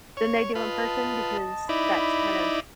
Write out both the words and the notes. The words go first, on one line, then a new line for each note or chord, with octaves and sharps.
than they do in person, because that's kind of
C#5
F4 B4 D#5 A5
D#4 E4 D5 B5